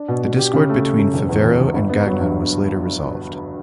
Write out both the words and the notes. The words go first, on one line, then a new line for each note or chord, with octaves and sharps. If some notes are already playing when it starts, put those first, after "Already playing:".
The discord between Favero and Gagnon was later resolved.
Already playing: D4
B2
B2
G4
C#3
A3
A3
F#2
E1
E2
E1
E1
G1
B3
F#3
G2